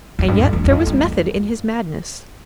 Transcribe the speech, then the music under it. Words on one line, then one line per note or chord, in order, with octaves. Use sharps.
And yet there was method in his madness.
F2
G2
F2
E2
E2
F2
G2